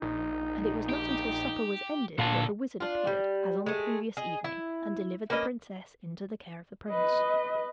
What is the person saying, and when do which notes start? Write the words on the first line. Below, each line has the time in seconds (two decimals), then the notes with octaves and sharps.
And it was not until supper was ended that the wizard appeared, as on the previous evening, and delivered the princess into the care of the prince.
0.02 A#1 D#4
0.89 G4
2.18 D1 A#2 A4 D5 F5 A5
2.80 D4 F4
3.07 G3
3.66 G#3 A3
4.17 G#4 D#5
4.44 E4
5.30 A#3 C#4 B4 D#5
6.89 B4 D#5